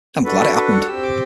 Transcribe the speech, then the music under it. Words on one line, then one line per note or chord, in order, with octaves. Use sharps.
I'm glad it happened.
D4 F#4 A4 B4
B4
B4
F#5
C4 G4 E6
D6